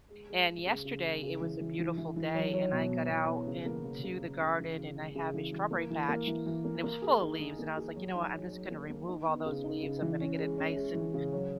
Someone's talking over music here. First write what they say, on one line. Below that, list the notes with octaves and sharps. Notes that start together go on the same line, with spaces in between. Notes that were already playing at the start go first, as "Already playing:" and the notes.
and yesterday it was a beautiful day and I got out into the garden and I have a strawberry patch and it was full of leaves and I was like, "You know what I'm just gonna remove all those leaves. I'm going to get it nice and
G#3
G#3
G#3
C#3
C#3
G#3
C#3
E3
E3
E3
E3
E3
F#3
F#3
B2
B2
B2
B3
C#3
A#3
C#3
C#3
C#3
C#3
E3
C#3
G#3
C#3
E3
E3
A#3
E3
A#3
E3
E3
A#3
A#3
G#4
D#4
D#3
A#3
G#4
F#3
D#4
F#3
F#3
A#3
A#3
D#4
B3
C#3
D#4
C#3
E3
C#4
G#3
C#4
G#3
E3
C#3
F#3